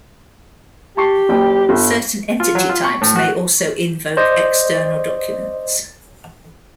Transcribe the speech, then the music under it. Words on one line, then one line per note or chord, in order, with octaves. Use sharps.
Certain entity types may also invoke external documents.
G4 A5 C#6 C7
F#1 G5
G1
F4
F#3
F4
C#6
A2
F#4
C5 D5 D#5